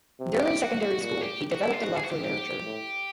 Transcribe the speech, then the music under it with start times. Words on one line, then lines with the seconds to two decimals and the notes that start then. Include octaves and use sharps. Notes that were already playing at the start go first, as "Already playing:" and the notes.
During secondary school, he developed a love for literature.
0.20 C3
0.40 G4
0.61 F#4
0.80 F#4
1.01 A#2 F#4
1.21 G4
1.53 F#4
1.62 E4
1.73 F4
1.82 G#2 F#4
1.96 G#4
2.04 F#4
2.10 G4
2.24 G#2 G4
2.65 A2